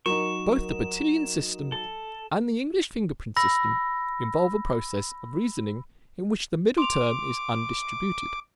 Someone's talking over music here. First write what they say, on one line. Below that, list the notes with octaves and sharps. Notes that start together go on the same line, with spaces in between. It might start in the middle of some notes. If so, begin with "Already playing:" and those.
Both the Bertillon system and the English fingerprint system involve a process of reasoning in which the middle term is undistributed.
F#3 D#4 A#4 C#6 E7
A4
B5 E6 A#6
C6 D6 F7